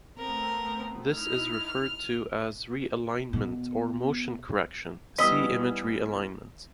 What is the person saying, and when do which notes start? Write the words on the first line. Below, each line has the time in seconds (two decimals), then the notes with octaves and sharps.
This is referred to as "realignment" or "motion correction", see image realignment.
0.18 A3 B3 C4 A#4
1.11 D#4 E4 F6
3.33 B2
5.18 E3 G3 B3 D#5 E6 B6